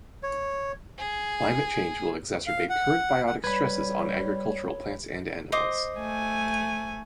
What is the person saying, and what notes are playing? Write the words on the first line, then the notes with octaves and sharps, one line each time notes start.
Climate change will exacerbate current biotic stresses on agricultural plants and animals.
C#5
G#4
F5
F#5
F#5
G3 B4 C#5 B5 G#6
C5 D#5 D6
A3 G#5